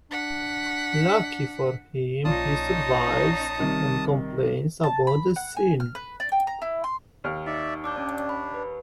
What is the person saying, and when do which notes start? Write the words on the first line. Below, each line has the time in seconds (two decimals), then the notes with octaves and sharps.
Lucky for him, he survives and complains about the scene.
0.11 D4 F#5 B6
2.25 A#1 C#4 D#4 F4 D5 A5 D#6
3.59 C3 D#3 G3
4.83 A5
5.07 B5
5.36 F#5
5.56 G#5
5.80 F6
5.95 B4
6.20 D5
6.32 G5
6.47 A#5
6.62 E4
6.84 C6
7.24 D#2 F6
7.46 D#4 D5 E5
7.84 D4 D6 E6 G6
7.96 C#4 D5
8.29 B5
8.54 B4